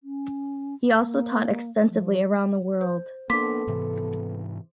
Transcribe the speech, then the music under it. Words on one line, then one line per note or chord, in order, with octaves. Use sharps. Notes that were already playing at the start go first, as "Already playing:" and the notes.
He also taught extensively around the world.
C#4
A#3
F3
C5
A#3 B3 D4 A4 C6 D6 B6
G#2 C3 E3